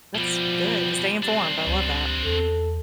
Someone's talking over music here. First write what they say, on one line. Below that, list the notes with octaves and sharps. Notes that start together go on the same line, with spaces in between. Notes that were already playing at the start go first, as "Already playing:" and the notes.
That's good, to stay informed, I love that.
B2 F3 G3
G3 C4 D4
C#2
E2 A4